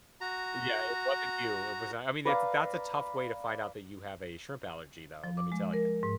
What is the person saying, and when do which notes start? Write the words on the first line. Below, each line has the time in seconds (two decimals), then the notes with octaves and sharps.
Yeah, it wasn't you. It was I mean, that's that's a tough way to find out that you have a shrimp allergy though, let me tell ya.
0.21 F#4 A#5
2.25 B4 D5 F5 A#5
5.24 F3
5.37 D6
5.52 G#3
5.73 A#4
6.03 G#2